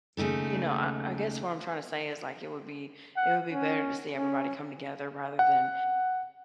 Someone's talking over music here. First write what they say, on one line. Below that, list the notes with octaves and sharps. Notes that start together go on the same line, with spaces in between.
Y You know, I I guess what I'm trying to say is like it would be it would be better to see everybody come together rather than
D#2 C#3 A3 D#4 A4
F#5
C#4
C#4
F#5